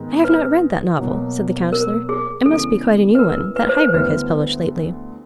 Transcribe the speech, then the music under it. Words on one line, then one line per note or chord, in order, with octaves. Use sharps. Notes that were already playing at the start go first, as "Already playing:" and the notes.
"I have not read that novel," said the Councillor; "it must be quite a new one, that Heiberg has published lately."
Already playing: G#2 D#3 G#3 B3
B4
B2 F#3 A#3
A#4
G#4
C#3 E3 G#3 B3 D4 A4
B4
A#4
B4
C5
B4
D2 D3 G3 B3 E4 B4